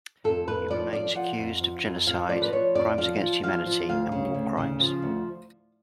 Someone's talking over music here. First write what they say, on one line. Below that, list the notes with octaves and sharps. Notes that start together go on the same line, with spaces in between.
He remains accused of genocide, crimes against humanity, and war crimes.
F2 A4
F2 B4
F3 D5
F3 D5
F3 F#5
F2
F3
F2
F3 F5
F3 D5
B4
F3 C#5
F2 D5
F3 F5
F3
F3 F5
F3
D2 F5
C#3
D2
C#3
F3
D2